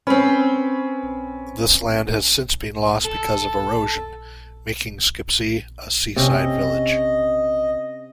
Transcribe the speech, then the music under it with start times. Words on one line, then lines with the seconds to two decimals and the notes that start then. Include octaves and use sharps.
This land has since been lost because of erosion, making Skipsea a seaside Village.
0.07 C4 C#4 B4
3.04 A4
6.16 C3 C#4 D#5